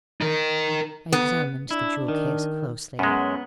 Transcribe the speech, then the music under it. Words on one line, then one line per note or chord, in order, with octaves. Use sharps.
I examined the jewel-case closely.
D#4 A#4
B3
D4 E4
D#3
F#2 G#3 B3 C#4